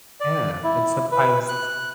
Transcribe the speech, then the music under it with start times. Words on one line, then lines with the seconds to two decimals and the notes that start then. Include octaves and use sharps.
Yeah, and sometimes
0.20 D5
0.64 E4
1.12 B4
1.49 F#6